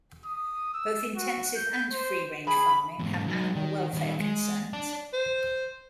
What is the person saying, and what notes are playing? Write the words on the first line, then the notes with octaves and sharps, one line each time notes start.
Both intensive and free-range farming have animal welfare concerns.
D#6
E6
F#4
G6
C5
G#4 B5
E2 G#2
F#3 D#4
D#3
D#3 G3
G#3
D5 A5
C5